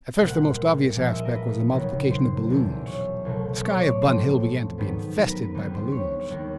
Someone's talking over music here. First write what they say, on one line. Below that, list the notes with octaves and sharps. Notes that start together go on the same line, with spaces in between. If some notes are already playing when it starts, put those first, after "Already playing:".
At first the most obvious aspect was the multiplication of balloons. The sky of Bun Hill began to be infested by balloons.
C2 A#2 G3 C4 F#5
A#2 F3 G#3 C4 F5
E5
D#5
A#4
B4
D#2 C#3 F#3 A#3
C5
E2 B2 F#3
C#5
C2 B2 F#3 A3
C#5
D5
C#5
A2 F3 A3 C4 C5
G#2 D#3 F#3 B3 B4
A#4
B4
B4
D#2 D3 G3 B3 B4
C5
C#5
D#2 D#3 G3 A#3